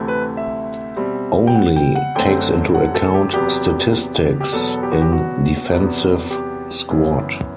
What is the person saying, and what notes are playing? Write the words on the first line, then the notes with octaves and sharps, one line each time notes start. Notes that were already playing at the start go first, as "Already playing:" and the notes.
Only takes into account statistics in defensive squad.
Already playing: D2 C3 E3 A3 C4
B4
E5
B2 G3 C4
G5
F#5
G5
F#5
F#2 D3 A3 C4 G5
F#5
A4
G4
E2 C3 F#3 B3 G4
G4
E2 B2 F#3 B3 A4
G4
F#4
G4
F#4
E2 C3 F#3 B3
G4
F#2 E3 B3